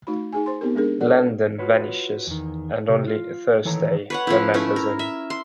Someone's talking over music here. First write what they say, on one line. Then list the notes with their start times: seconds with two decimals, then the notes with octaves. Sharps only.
Landen vanishes, and only Thursday remembers him.
0.07 A3 D#4 F#4 B5
0.33 D#4 G#4 G#5
0.46 C5 C6
0.61 B3 C4 D#4 G4 A#4
0.75 G#3 D4 G#4 A#4
1.00 A4 D5 F#5
1.59 F4 F#4 B4 C#5
2.27 E2 D#3
2.89 C3 G4
3.08 F4
3.65 D#3 E3 A4 C#5 A#5
4.10 B4 C#5 F#5
4.27 F3 C#4 E4
4.54 A3 C#4 E4
4.76 A#4
4.99 E5
5.30 C6